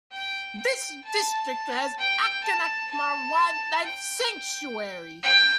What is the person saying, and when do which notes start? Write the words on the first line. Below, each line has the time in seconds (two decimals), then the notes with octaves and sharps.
This district has Achanakmar Wildlife Sanctuary.
0.12 G5
0.58 G5
1.05 A5
1.98 G5
2.43 A5
2.91 A5
3.84 G5
5.23 G5